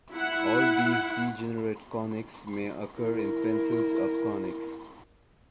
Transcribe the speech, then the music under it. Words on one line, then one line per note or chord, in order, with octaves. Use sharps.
All these degenerate conics may occur in pencils of conics.
E4 F#5
E4 A#4